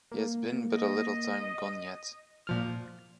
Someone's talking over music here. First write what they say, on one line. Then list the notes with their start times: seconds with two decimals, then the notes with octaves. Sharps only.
He has been but a little time gone yet.
0.12 A#3
0.74 D#5
2.47 A#2 F3 F6